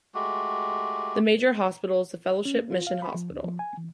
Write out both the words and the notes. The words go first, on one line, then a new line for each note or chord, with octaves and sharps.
The major hospital is the Fellowship Mission Hospital.
G#3 A3 F#4 G4
C#4
A#3
F4
F5
B5
F3
D2
F3
G#5
E3